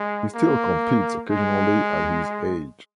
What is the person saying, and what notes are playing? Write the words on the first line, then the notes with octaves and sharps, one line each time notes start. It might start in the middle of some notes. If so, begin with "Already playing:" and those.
He still competes occasionally at his age.
Already playing: G#3
A#3
G#3